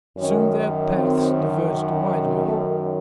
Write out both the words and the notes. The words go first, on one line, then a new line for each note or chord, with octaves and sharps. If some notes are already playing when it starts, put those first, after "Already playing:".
Soon their paths diverged widely.
F#2 D#3 C#4
C4
A3